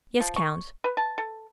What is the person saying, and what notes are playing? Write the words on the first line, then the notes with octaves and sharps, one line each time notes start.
"Yes, count."
F3
C#6
B4
A5
A4